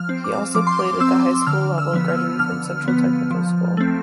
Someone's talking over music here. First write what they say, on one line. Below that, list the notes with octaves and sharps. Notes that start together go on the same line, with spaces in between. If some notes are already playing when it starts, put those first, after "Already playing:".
He also played at the high school level and graduated from Central Technical School.
Already playing: F3 F6
C4
D6
F3 D6
C6
D6
C4 E6
D3 F6
E6
F3 B3
F6
D3 F6
F3 B3
F3
A3 C4